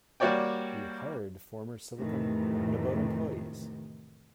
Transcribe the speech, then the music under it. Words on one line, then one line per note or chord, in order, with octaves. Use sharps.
We hired former silicon roundabout employees.
G3 A#3 F#4 C#5 D5 G5
F2 A2 C3 D#3 E3 A3